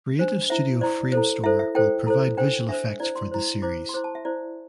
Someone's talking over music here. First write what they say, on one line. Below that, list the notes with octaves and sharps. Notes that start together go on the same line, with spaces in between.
Creative studio Framestore will provide visual effects for the series.
D4 C5
E4 C5 E5
E4 C5 D5
E4 A4 C5
E4 A4 C5 E5
E5
E4 A4 C5 G5
E4 A4 C5
D4 C5 G5
D4 C5 E5
E4 C5 D5
C6
E4 C5
E4 C5 D6
C6
E4 C5 D6
A5
E5
E4 C5 D5